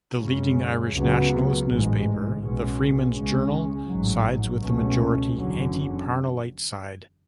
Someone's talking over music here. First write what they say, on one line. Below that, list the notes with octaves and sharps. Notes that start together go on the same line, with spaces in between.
The leading Irish nationalist newspaper, the "Freeman's Journal", sides with the majority anti-Parnellite side.
F#2 C#3 G#3 C#4
C#2 C#3 F#3 B3
A1 G#2 G#3
B1 B2 G#3 C#4
C#2 C#3 G#3 C#4
A1 G#2 F#3
C#2 B2 A3 C#4
F#1 E2 D3 F#3 C#4